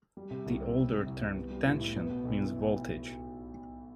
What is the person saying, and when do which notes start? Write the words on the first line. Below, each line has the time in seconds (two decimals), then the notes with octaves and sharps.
The older term "tension" means "voltage".
0.17 G3
0.31 C3
0.46 C2
0.60 C4
0.76 G3
0.91 C3
1.06 C2
1.21 C2
1.35 B3
1.51 G3
1.65 A2
1.80 A2
1.96 B3
2.11 B2
2.25 B1
2.40 E4